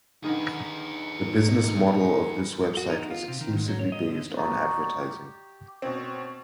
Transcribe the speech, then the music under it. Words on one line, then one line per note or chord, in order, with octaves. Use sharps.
The business model of this website was exclusively based on advertising.
D3 D#3 D#4 G#4 B4
F#4
D#4
F4
C3
D#3
G#2
F#3
C#5
D#5
D3
D#4 F#4 D5
G4
B2 C4 C#5